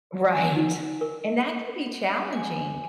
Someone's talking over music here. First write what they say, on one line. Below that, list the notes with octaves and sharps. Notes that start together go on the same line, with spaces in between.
Right, and that can be challenging.
G#5
D#4
A#4
G#5